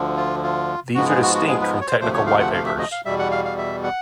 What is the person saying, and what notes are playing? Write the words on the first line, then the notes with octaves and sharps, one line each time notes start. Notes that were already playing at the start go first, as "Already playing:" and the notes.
These are distinct from technical white papers.
Already playing: D2 D3 F3
F4
F4
G#2 F3 G#3 B3 F#4
G#4
F#4
F#4
G#4
B4
C#5
C5
D2 C3 F3 A3 C5
C#5
F5
F#5
F5
E5
D#5
F5
E2 B2 G3 E5
F#5
F5
F5
E5
F#5